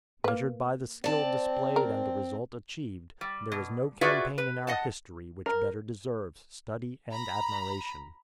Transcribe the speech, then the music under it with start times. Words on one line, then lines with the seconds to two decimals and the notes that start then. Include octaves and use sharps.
Measured by the skill displayed and the result achieved, there is no campaign in our history which better deserves study and admiration.
0.24 A#3 B4
1.04 C4 D5 A5
1.76 A#4
3.21 G3
3.52 B2
4.01 F4 F#4 G#4 B4 D5 E5
4.38 B4
4.67 D#5 F#5 A5
5.46 A#4
7.12 A#5 B5